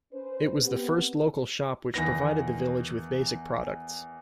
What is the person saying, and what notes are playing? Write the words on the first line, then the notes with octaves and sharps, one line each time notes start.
It was the first local shop which provided the village with basic products.
C#4 B4 C5
B3 C4 G4
E2 D#3 B3 A#6